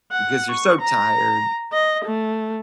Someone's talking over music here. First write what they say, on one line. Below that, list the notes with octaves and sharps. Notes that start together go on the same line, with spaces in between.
because you're so tired.
F#5
C#6
A#5
D#5
A3